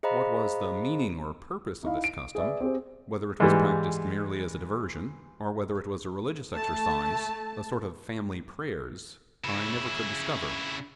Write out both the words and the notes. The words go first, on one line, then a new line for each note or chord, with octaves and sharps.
What was the meaning or purpose of this custom, whether it was practiced merely as a diversion, or whether it was a religious exercise, a sort of family prayers, I never could discover.
G#4 C5 D#5 F5 A#5 B5
D#4 E4 D#5 F5
D7
G#4 B4 D5 E5
C4 G4 G#4 C5
G#2 E3 G3
A3 A5
C#3 E4